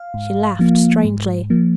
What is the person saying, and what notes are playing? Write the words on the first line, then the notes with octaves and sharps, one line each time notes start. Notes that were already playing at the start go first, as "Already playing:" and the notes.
She laughed strangely.
Already playing: F5
G#2
F3 A#3
G#2
F3 A#3